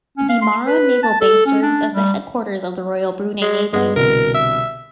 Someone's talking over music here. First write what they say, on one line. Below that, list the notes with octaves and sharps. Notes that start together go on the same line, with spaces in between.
The Muara Naval Base serves as the headquarters of the Royal Brunei Navy.
C#4
F5
C6
B4
A5
A4
C#4
D4
G3
G#3
G2 G#3 B3 F#5
C2 B2 D3 A#4
E5